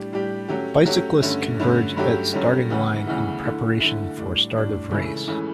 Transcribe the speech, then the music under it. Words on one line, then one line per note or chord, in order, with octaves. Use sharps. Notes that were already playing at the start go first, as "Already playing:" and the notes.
Bicyclist converge at starting line in preparation for start of race.
Already playing: A2 G3 D4 G4
A2 G3 D4 G4
F#3 A3 C#4 G4
F#3 A3 C#4 G4
G2 D3 A3 C#4
G2 D3 A3 C#4
G2 F#3 A3 C#4 G4
G2 F#3 A3 C#4 G4
D2 C#3 E3 B3 E4
D2 C#3 E3 B3 E4
D3 A3 E4
D3 A3 E4
A2 G3 D4
A2 G3 D4
C#2 C#3 E3 A3
C#2 C#3 E3 A3